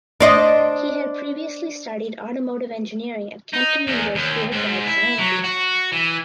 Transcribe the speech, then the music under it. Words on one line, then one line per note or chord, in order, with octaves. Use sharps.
He had previously studied automotive engineering at Kempten University of Applied Sciences.
D4 C5 D#5
D#4
E2
D#2
G#2
E4
F#3
F#4
E3